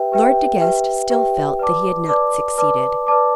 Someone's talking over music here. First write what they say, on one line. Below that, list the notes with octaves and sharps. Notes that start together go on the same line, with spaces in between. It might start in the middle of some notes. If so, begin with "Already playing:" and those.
Lord De Guest still felt that he had not succeeded.
Already playing: G4 B4 E5 G5
G4 B4 E5 G5
G4 B4 E5 G5
G4 B4 E5 G5
B4 D5 A5 D6
B4 D5 A5 D6
B4 D5 A5 D6
B4 D5 A5 D6